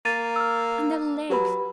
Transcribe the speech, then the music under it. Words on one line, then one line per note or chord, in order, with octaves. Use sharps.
And the legs!...
A#3 A6 D#7
E6 F6
F#3 G4 B4 B5